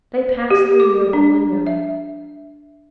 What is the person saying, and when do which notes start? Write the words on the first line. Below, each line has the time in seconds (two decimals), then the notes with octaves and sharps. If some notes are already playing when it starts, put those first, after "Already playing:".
They passed through the open window.
0.50 G4
0.80 D6
1.13 D4
1.67 E5